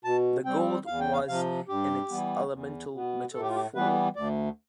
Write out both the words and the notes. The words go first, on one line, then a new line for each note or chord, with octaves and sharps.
The gold was in its elemental metal form.
B2 A5
G3 C4 G5
E2 F5
G5
F5
C3 F3 F5
G2 G4
E3 G3 B3
E2
B2 B3
A2 A4
G4
F4
G4
E3 G3 B3 B4
D2 D5